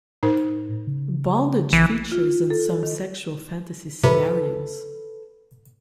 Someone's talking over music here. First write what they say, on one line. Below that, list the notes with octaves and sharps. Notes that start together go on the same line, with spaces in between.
Bondage features in some sexual fantasy scenarios.
A2 D#4 A#4 C5
C#3
A#1 E3
F4
A4
D#3
C3 A4 B4